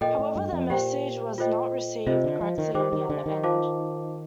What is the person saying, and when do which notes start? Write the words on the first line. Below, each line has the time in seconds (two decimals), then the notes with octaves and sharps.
However, the message was not received correctly at the other end.
0.01 A#2 A4 D#5 G5
0.19 A2
0.36 G2
0.53 F2
0.70 A#2 G4 C5 G5
1.38 F4 A4 C5 D#5 G5
2.07 C3 F4 C5 D#5
2.24 D3
2.41 F3
2.58 D#3
2.75 D#3 G4 C5 G5 D6
2.93 D#3
3.09 D3
3.26 D#3
3.44 F4 C5 F5 A5 D6